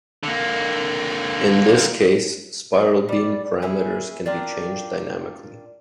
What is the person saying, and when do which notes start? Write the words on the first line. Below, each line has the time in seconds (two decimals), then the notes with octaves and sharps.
In this case spiral beam parameters can be changed dynamically.
0.23 D3 A#3
3.09 G3 D5
3.62 C#4 E4 G#4
4.26 D4 F4 G4 A#4